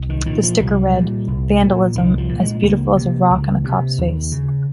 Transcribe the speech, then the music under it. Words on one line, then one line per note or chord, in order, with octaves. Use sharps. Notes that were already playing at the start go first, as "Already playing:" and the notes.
The sticker read: "Vandalism: As beautiful as a rock in a cop's face".
Already playing: C2
D#3
A#2 D#3
F3
C2 G3
A#2
C2
A#2
C2 D#3
F3
A#2
G#3
C#2 A#3
C3
C#2
C3
D#2
C#3